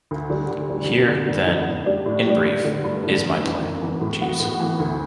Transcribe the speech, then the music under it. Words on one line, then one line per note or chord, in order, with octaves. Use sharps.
Here, then, in brief, is my plan, Jeeves.
D2
D3 G3
D2
D3 G3
F#2
D3 F#3 B3
F#2
D3 F#3 B3
A2
G3 D4
A2
G3 D4
G2
D3 A3
G2
D3 A3
F#2
E3 B3
F#2
E3 B3
A2
E3 B3 F#4
A2
E3 B3 F#4
D2